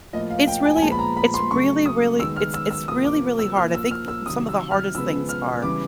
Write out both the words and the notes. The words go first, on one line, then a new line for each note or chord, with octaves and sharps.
It's really it's really, really it's it's really, really hard. I think p some of the hardest things are.
A2 F3 A#3 D#5
F5
G5
G#5
G#5
A#2 F3 G#3 B3 A5
B5
A#5
B5
C6
C#3 F#3 A3 C#6
D#6
D#3 G#3 B3 E6
F6
E6
E6
C3 F3 A#3 D#6
D6
E6
A#2 F3 A#3 F6
E6
F6
E6
C3 D#3 F#3 D#6
E6
F6
C#3 F3 G#3 B3 E6
F6
C#3 E3 G3 B3 D6